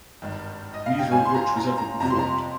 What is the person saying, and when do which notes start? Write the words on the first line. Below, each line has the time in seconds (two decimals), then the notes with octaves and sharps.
Neither of which was ever performed.
0.22 G#1 G2 D#3
0.74 D#5
0.86 F5
0.99 G5
1.12 C#2 C#3 G3 C#4 G#5
1.25 C6
1.34 A#5
1.57 A#5
1.78 A#5
2.00 F2 C3 G3 A#5
2.10 C6
2.19 A#5